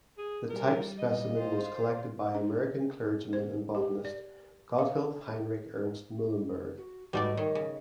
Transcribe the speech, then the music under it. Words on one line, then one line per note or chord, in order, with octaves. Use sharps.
The type specimen was collected by American clergyman and botanist Gotthilf Heinrich Ernst Muhlenberg.
G#4
G3 A#4
D#5
F4 C5
D4
C5
G4
D5
F5
F#4
G#2 G3 A3 F#4 B4 D5 D#5
D#3 C#5
C#3